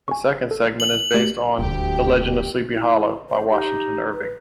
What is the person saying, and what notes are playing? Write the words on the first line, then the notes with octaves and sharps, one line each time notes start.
The second segment is based on "The Legend of Sleepy Hollow" by Washington Irving.
G#5 C#6
A4
F#7
A3 G4 D5
D#1 D2 G4 G5
E4
C5
D#4 G4
B4